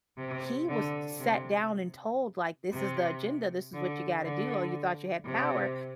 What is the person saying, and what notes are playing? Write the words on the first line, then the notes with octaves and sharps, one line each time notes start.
he was sat down and told, like, this is the agenda. This is what you gotta do. Oh, you thought you had power.
C3
D3
C3
C3
D3
D3
C3